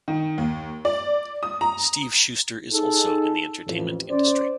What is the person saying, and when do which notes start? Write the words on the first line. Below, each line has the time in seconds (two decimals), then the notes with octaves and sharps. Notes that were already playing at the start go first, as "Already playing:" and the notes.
Steve Shuster is also in the entertainment industry.
0.08 D#3
0.38 D#2
0.85 D5
1.43 D#6
1.61 A#5
2.73 D#4 G#4 A4
3.66 A1 F2
4.10 C#4 C5 D5